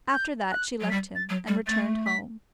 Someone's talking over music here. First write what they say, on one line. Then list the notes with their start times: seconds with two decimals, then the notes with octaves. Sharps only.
After that she left him, and returned home.
0.13 G6
0.52 F#6
0.81 F#3
0.90 G3 B6
1.15 A6
1.29 F#3
1.47 G3
1.67 A3 A6
2.06 B6